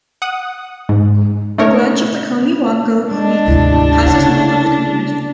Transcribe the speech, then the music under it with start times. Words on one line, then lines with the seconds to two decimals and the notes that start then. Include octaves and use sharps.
A branch of the Conewango Creek passes north of the community.
0.22 F#5 D#6
0.89 G#2
1.58 A3 D#4 A#4 C#5
3.11 G#3 D4
3.47 G#1 D2 C3 E4
4.06 C#3 C#4 C#5 F#5